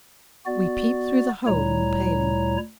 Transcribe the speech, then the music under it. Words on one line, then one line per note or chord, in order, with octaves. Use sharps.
We peeped through the hole in the paling.
B3 F#4 D5
D2 A#2 G3 E4 C#5 A#5